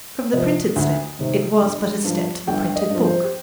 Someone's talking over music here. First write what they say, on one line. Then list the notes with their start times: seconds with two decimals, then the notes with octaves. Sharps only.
From the printed slip it was but a step to the printed book.
0.33 C3 F3 D#5
0.76 D2
1.19 C3 D#3
1.61 G1
2.04 G2 F3
2.47 G1 G5
2.76 D#5
2.90 G2 F3
3.04 C5
3.24 G4